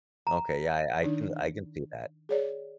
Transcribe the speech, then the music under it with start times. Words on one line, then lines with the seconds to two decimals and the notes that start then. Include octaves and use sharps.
okay, yeah, I I can I can see that.
0.27 A#5
1.03 D#3 D4 D#4
2.29 G#4 C#5 D5